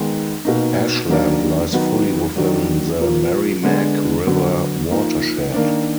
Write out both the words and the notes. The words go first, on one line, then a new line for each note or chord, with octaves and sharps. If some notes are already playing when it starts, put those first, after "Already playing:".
Ashland lies fully within the Merrimack River watershed.
Already playing: D#3 G#3 B3 D#4
B2 A#3 D#4
D#3 F#3 A#3 D4
D#3 F#3 B3 D#4
D#3 F#3 D4
A#2 F3 A#3
D3 G#3 B3 D4
D3 F#3 B3
F3 A#3 D#4
D#3 A#3 D4